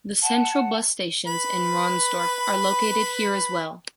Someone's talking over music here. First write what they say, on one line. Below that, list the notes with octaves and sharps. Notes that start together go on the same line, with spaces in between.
The central bus stations in Ronsdorf are located here as well.
F#5 A5
B4 B5